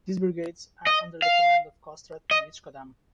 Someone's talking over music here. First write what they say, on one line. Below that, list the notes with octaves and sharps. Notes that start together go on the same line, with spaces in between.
These brigades are under the command of Kostrad and each Kodam.
D#5
F5
D#5